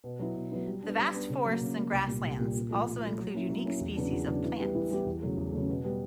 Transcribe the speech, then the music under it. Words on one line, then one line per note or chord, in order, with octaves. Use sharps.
The vast forests and grasslands also include unique species of plants.
B2
F#3 B3 E4
B2
F#3 B3 E4
G3
B3 D4
G3
B3 D4
C#3
F#3
A#3
C#3
F#3 A#3
C2
A#2 G3
C2
A#2 G3
A#2
F3 A3
A#2
F3 A3
F#3
A#3 C#4 E4
F#3
A#3 C#4 E4
E2
C#3 F#3 B3 D4
E2
C#3 F#3 B3 D4
E3
G3 B3 E4 G4
E3
G3 B3 E4 G4
E2
C#3 F#3 A3
E2
C#3 F#3 A3
B2
G3 B3